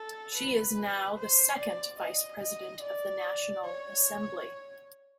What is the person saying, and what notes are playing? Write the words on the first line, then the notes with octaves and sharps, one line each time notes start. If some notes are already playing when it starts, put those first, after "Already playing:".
She is now the second vice president of the National Assembly.
Already playing: A4
B4
C5
D5
D#5
D#5
D5
C#5